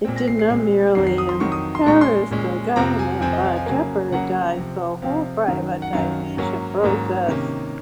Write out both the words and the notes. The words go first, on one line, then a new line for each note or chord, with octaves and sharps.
It did not merely embarrass the government but jeopardised the whole privatisation process.
A#2 G#3 C4
A#6
C7
C7
A#2 G#3 C4 C7
F2 D#3 F#3 C7
C7
D#6
C6
F2 D#3 F#3 C#6
D#6
C6
A#2 G#3 C#4 C#6
C6
A#2 G#3 C#4
F2 C3 F3 C4 A#5
G#5
F2 C3 F3 C4 G#5
D#5
F5
G#5
C#3 F#3 A#3 G#5
C#3 F#3 A#3 F#5
C3 F3 C4
C3 F3 C4 F5
F#2 D#3 F#3
F#5
F#2 D#3 F#3 F5
G#2 F#3 A#3 C#4
G#2 F#3 A#3 C#4
C3 D#3 A#3 C#4